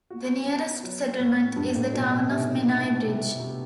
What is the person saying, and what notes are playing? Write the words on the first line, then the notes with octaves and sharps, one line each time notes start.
The nearest settlement is the town of Menai Bridge.
F#4
B3
F#3
A2
G2 F#3
A2
B2 F#3
B2
C3 D#4
B3
C3
C3